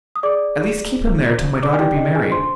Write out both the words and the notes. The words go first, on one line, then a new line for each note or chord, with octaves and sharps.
"At least keep him there till my daughter be married."
D#6
G#4 D5 D6
G#4
C5
C5
D5 D6
G#5
G4 G5
D#4 D#5
G#4 G#5
D4 C5 C6